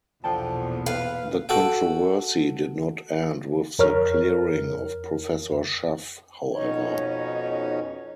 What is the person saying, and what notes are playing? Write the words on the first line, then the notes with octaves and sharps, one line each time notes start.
The controversy did not end with the clearing of Professor Schaff, however.
B1 E2 A#2 D3 F3 F#5 G5 A5
B4 F5
F#4 A4 F#5 G5
F2 A#4 C#5 F6
F2 B2 C#4 D#4 C#5